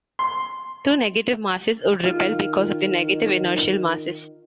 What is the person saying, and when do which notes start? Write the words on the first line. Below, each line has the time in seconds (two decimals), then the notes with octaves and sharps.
Two negative masses would repel because of their negative inertial masses.
0.19 C6
2.05 D#3 F4